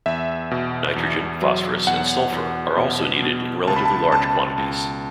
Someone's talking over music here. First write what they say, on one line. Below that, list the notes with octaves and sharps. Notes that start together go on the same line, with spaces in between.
Nitrogen, phosphorus, and sulfur are also needed in relatively large quantities.
E2 E5
B2
E2
F#3
E2 F#5
E2
B2
B2
C#2 A5
B5
A5
C#2 A5
C#2